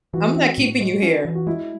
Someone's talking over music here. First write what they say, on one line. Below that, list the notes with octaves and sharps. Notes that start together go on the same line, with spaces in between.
I'm not keeping you here.
E3 F#4
C4
A2
G#3
C#4
E3
F#4
G#3 E4